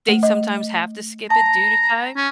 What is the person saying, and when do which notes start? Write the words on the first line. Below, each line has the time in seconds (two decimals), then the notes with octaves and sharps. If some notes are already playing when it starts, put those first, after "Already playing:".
they sometimes have to skip it due to time.
0.08 A3
0.23 D#5
1.30 A5 A#5
2.16 C#4